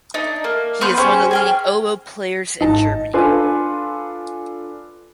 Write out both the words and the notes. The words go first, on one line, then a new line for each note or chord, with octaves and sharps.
He is one of the leading oboe players in Germany.
D4 D#4
A#3
B3 B4 C6 G6
C#4 G4 G#4 C5
G#4 G5 F6
G#1 D#4 A5
D4 F4 A4 B4 G#5 C6